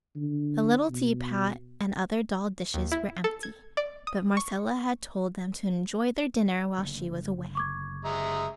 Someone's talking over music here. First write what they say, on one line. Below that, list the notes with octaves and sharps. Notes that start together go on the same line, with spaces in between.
The little teapot and other doll dishes were empty, but Marcella had told them to enjoy their dinner while she was away.
D3
B2
D#2
E4
A4
G#6
D5
D#6
C#6
F#1 D3 A3
C#6 D6 G#6
G#3 E5 A#5